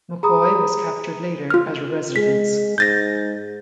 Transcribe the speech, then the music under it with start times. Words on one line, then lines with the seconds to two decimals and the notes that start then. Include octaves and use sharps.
McCoy was captured later at a residence.
0.23 G#4 A#5 B5 D#6
1.50 F4 F6
2.16 G#3 B6
2.78 G#2 G6 A6 A#6